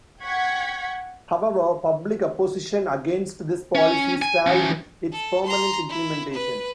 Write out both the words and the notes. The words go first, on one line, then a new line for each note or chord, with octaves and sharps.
However, public opposition against this policy stalled its permanent implementation.
F#5 G5 C#6 G#6 B6
C#4
G#5
E3 C#4
A4
A#5 C6
E4
B4